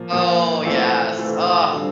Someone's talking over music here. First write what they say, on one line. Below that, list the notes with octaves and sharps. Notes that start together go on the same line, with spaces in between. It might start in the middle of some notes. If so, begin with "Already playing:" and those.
Oh, yes, ugh.
Already playing: A#2 F3 A#3
A#2 F3 A#3
E3 A3 C4 F4 A4
E3 A3 C4 F4 A4
D3 G3 C4 F4 A4